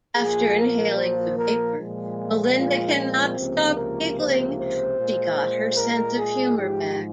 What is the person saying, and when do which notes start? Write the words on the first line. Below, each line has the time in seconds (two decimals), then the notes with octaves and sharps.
After inhaling the vapor, Melinda cannot stop giggling-she got her sense of humor back.
0.16 A#2 F3 A#3 G#4
0.58 A#4
0.97 C5
1.36 A#4
1.77 A#2 F3 G#3
2.57 F4
2.96 C4
3.37 C#2 C3 F3 A#3
3.76 A#4
4.17 C5
4.57 C5
4.96 A#2 G#3
5.77 A#4
6.17 G#4
6.56 G#2 F3 G#3 G4